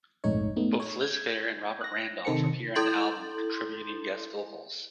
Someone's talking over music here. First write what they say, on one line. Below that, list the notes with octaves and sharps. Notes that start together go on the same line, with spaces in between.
Both Liz Phair and Robert Randolph appear on the album contributing guest vocals.
A#1 F2 G#2 A3 D#4 C#5
A3 B3 D#4
C#5
G6 G#6
F#6 A#6
C3 D#3 A4 C5 C#7
E4 A4 C6 G6 A6 F#7